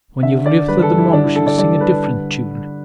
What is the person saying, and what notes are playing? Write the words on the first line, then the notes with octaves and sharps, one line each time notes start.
When you've lived with the monks you'll sing a different tune.
D3 E5
D3 D5
G2 B4
A4
G2
E4
D3 D4
E4
D3 A4
D5
G2 D5
G2 B4
D3